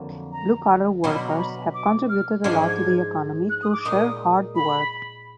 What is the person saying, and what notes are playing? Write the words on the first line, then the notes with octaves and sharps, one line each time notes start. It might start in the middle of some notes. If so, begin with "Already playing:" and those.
Blue collar workers have contributed a lot to the economy through sheer hard work.
Already playing: F2 D3 F#3 A#3
A#5
B2 F#3 D4 F4 B5
B5
A#5
B5
D6
F6
G#2 F3 G#3 D4 F4 G#6
G#6
F#6
D#6
D6
A#2 G#3 D#4 D#6
B5